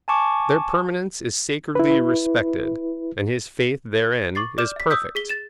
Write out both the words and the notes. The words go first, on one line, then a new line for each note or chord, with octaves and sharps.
Their permanence is sacredly respected, and his faith therein is perfect.
G#5 A5 C#6 D6
E4 B4
C#6 D6 A6 C7
D5 D6 F6 G6 E7
E5 B6
D#6 E6 G6 B6
G#4 B6 G7
A6 E7